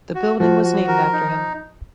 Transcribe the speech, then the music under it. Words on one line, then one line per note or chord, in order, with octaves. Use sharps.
The building was named after him.
F#4
F3 F#4
F#4
A#4
D#4